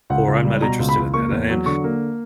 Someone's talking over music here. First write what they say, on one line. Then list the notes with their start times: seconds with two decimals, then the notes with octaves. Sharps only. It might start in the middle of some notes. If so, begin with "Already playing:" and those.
or I'm not interested in that, a and
0.10 C#2 F#5
0.28 C#2
0.45 G3
0.62 B2 A#5
0.80 C#2
0.89 B5
0.97 C#2
1.14 A#3 C#6
1.32 E2
1.49 F#3
1.66 D3 C#6
1.84 A#3